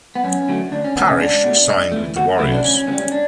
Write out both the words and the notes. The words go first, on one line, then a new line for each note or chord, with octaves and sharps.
Parish signed with the Warriors.
B3
F#2 C#4
D3 F#3 A3
D2 D4
C#4
D3 A3 B3
C#4
C#2 D4
B2 A3
G2
E3 A3
D2 F#4
C#3 F#3 A3 E4
D4
D2 C#4
C#4
C#3 G3 B3
C#4
D4